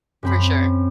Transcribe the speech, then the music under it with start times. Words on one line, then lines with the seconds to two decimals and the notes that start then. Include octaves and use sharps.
For sure.
0.23 F#2 C4 B5